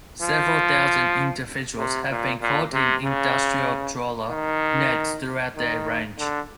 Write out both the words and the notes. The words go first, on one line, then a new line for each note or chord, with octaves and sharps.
Several thousand individuals have been caught in industrial trawler nets throughout their range.
F3
C3
A#2
A#2
C3
C#3
D#3
D#3
D3